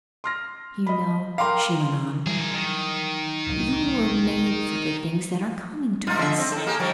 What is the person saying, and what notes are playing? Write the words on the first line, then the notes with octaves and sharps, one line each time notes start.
You know," she went on, "you were made for the things that are coming to us.
C6 F6 A#6
D#5 B5
A#4 F5 G5 A#5 C6 D6
E3 F#3 G3 G#4 A#4
D#3
D1 C2 F#3
G#2 G#3 D#4 F4
D3 F3 D#5 E5
C4
A2 D#3 A4
A#3 G4 G#4
D#3 F3 G3 G4